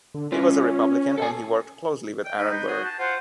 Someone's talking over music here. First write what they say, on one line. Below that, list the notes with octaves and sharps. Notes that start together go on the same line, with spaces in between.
He was a Republican and he worked closely with Aaron Burr.
D3
C#4 F4 B4
A4 G#5
G5
D#4 B4
G6
F#4 G#4
A5
F4 C5 F#5